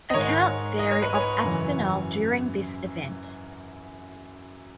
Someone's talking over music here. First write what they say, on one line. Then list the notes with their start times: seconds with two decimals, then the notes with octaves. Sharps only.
Accounts vary of Aspinall during this event.
0.10 D#5
0.14 G#2 D#3 C#5
0.79 D#5
0.91 C#5
1.02 B4
1.15 C#5
1.43 F#2 C#3 E3